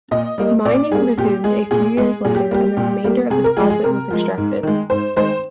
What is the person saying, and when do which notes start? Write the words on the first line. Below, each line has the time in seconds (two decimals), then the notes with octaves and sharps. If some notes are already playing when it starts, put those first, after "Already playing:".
Mining resumed a few years later and the remainder of the deposit was extracted.
0.11 A#2 D#5
0.38 G3 A#3
0.65 A#2 D5
0.91 G3 A#3 G#4
1.18 A#2 G4
1.44 G#3 G#4
1.71 A#2 G#4
1.97 G#3 G#4
2.25 A#2 G#4
2.35 G4
2.51 G3 A#3 G4
2.77 A#2
3.04 G3 A#3
3.30 C3 G#4
3.44 A#4
3.57 F3 G#3 G#4
3.70 G#4
3.84 C3 A#4
4.11 F3 G#3
4.38 G#2
4.63 D#3 G#3
4.90 G#2 C5
5.16 D#3 G#3 C5